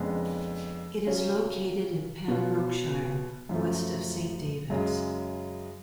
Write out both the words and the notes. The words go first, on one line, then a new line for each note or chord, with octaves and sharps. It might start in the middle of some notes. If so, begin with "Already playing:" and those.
It is located in Pembrokeshire, west of Saint David's.
Already playing: F2 C#3 G#3 B3 D4
C#3 F#3 C#4
B2 F#3 B3 F4
F#2 F3 A3
F#2 C#3 G#3